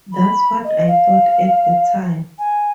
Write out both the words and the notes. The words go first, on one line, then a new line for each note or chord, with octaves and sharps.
That's what I thought at the time.
B5
D#5
F5
G#5